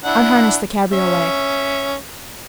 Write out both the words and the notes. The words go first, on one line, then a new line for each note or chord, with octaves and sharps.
Unharness the cabriolet.
D4 E4 F#5
C#4 E5